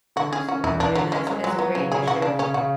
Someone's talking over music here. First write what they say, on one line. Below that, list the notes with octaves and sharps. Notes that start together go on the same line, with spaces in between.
Absolutely, and that's that's a great issue.
D3 F#4
C#4 G#4
C#4 F#4
E2 E4
E2 D4
D3 F#3
G#3 C#4
F#3 G#3
F#3 G#3
F#3 B3
C#3 C#4
C#3 G#4
C#3 F#4
C#3 D4
C#3 C#4
C#3 F#4